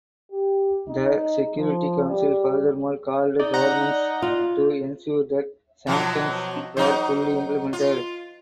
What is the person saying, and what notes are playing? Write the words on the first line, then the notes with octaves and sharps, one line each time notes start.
The Security Council furthermore called Governments to ensure that sanctions were fully implemented.
G4
D#4
F3
G3
D#4 D5
F#5 A#5
F4
B2 F3 F#3
F#3 D#4 C5
F4